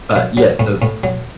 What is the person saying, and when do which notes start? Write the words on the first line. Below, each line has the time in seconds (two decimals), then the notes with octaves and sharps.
but yeah, so
0.16 F#3
0.37 F#3
0.59 A2
0.82 A2
1.03 F#3